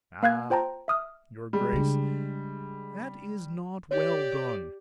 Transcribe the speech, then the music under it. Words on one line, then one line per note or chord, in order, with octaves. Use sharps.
"Ah, your grace, that is not well done."
A#3 F5 F#6 G#6
F4 C5 G5 A5 A#5
E5 D#6 F6
G3 G#3
C#3 D4
G4 C#5 D5